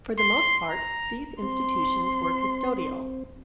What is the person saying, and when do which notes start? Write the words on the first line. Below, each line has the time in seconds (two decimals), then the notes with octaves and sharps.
For the most part, these institutions were custodial.
0.18 C6
0.68 A#5
1.43 C4 C6